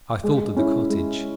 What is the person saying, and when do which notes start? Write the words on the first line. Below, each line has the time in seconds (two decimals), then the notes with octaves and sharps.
I thought of the cottage.
0.24 G#3
0.57 C#4 E4
0.90 G#3